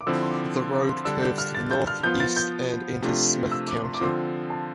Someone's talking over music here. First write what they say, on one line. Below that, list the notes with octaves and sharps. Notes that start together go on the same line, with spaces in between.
The road curves to the northeast and enters Smith County.
D6
D3 F3 C4 E4 E6
C6
D6
C6
D6
C6
D3 G3 D4 E6
G6
F6
A6
G6
F6
F3 B3 F4 G6
A6
G6
C3 F3 A3 D4 F4
E6
D6
C6
D6
D3 F3 C4 F4 C6
A5